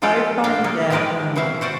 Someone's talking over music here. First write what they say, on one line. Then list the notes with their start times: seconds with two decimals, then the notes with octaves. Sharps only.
I find that, um,
0.02 F3 G3 F4 A4 D5 G5
0.44 G3 D4 F5 G5
0.64 A#3 G#4 A4
0.90 E3 F3 G#3 G4 A#4 B4
1.36 B2 E3 C5 E5 F5
1.61 F#4 C5 D5 F#5